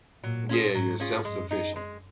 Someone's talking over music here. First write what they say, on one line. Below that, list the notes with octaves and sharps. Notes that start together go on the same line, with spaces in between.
Yeah. You're self-sufficient.
A#2 F#3
C#4 F4 G#4
G#2 F#3
C#4 F4 G#4
F#2 G#3
D#4 G#4
G#3